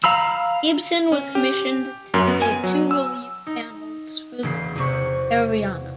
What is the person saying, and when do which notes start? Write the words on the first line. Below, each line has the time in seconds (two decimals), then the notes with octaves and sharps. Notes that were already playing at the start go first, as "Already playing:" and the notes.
Gibson was commissioned to create two relief panels for the liner "Oriana".
0.04 F5 A#5 B5 E6
1.12 C#4
1.35 G4
2.14 F#2
2.27 B3
2.42 G#5
2.64 F#3
2.91 E6
3.47 D#4
4.43 E1 C#3 C7
4.76 E2 C3 C#6